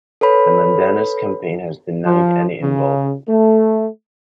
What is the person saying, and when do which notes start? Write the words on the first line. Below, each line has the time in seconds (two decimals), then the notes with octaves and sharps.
The Menendez campaign has denied any involvement.
0.21 A4 B4 C#5 B5
2.06 F3
2.62 C#3
3.28 A3